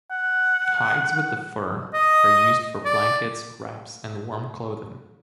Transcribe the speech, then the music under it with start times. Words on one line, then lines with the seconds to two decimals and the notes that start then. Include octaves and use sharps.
Hides with the fur are used for blankets, wraps, and warm clothing.
0.11 F#5
1.94 D#5
2.85 D5